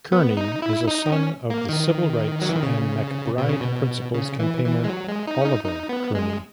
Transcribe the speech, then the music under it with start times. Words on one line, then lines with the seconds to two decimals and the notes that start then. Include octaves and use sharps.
Kearney is a son of the civil rights and MacBride Principles campaigner Oliver Kearney.
0.12 B3
0.37 D#4
0.62 E4
0.87 D#4
1.12 C#4
1.50 A#3
1.69 D#3
2.42 F#3
2.49 E3
2.56 D#3
2.63 C#3
3.38 B2
3.49 C#3
3.61 B2
4.14 C#3
4.39 E3
4.65 E3
4.84 G#3
4.89 F#3
5.08 G#3
5.27 D#4
5.41 C#4
5.45 D#4
5.65 D#4
5.89 B3
6.15 G#3